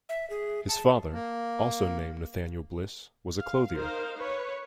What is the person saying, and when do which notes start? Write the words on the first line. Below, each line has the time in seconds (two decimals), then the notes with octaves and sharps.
His father, also named Nathaniel Bliss, was a clothier.
0.09 E5
0.30 G#4
0.69 A5
1.13 A#3
3.39 F5
3.75 D#4 A#4 C5 F5
4.18 B4 C#5